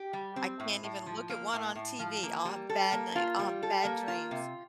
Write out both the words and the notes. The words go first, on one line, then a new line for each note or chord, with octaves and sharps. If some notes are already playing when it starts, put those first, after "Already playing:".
I can't even look at one on TV, I'll have bad night, I'll have bad dreams.
Already playing: G4
G3
C4
A2
A2
F3
A#3
A2
A2
F3
A#3
G3
A4
A#3
F4
G3
A4
A#3
F4
C3